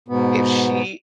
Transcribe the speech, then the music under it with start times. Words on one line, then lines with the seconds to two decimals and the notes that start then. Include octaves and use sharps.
if she
0.08 G#2 B2 B3